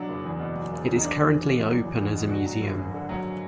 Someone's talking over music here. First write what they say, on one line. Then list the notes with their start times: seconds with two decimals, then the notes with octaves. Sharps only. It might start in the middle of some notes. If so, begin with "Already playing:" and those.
It is currently open as a museum.
Already playing: B2 F#3 D4
0.09 F#1
0.25 E2
0.39 B2
0.55 F#3
0.71 F#1
0.87 E2
0.96 D#4
1.03 F#3 D4
1.19 E2
1.35 E2
1.50 B2
1.66 F#3
1.82 E2
1.98 E2
2.14 B2
2.29 D3 F#4
2.46 F#3
2.61 G#1
2.78 F#2
2.94 D3
3.09 F#3